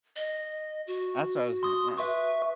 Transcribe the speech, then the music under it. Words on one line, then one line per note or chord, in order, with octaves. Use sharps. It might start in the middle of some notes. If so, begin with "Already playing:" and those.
That's what I was gonna ask.
D#5
F#4
C6 D#6
B4 E5 C#6